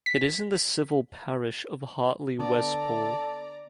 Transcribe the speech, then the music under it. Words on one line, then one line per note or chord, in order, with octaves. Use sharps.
It is in the civil parish of Hartley Wespall.
B6
D3 B3 A4 D5 A#5